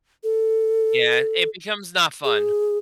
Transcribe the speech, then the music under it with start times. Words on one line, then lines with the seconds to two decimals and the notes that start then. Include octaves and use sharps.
Yeah. It becomes not fun.
0.24 A4
2.24 G#4